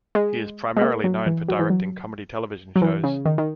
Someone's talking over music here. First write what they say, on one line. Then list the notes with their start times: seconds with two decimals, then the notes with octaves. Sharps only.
He is primarily known for directing comedy television shows.
0.15 G#3
0.77 G#3
0.81 A#3
1.04 F#3
1.26 E3
1.48 F#3
1.59 E3
1.70 F#3
2.76 F#3
2.82 E3
3.04 C#3
3.25 D#3
3.38 D#3